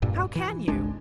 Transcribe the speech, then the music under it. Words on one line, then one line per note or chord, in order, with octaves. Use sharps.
How can you?
E1 G2 A#2
E3
G1 C2 G#3 D4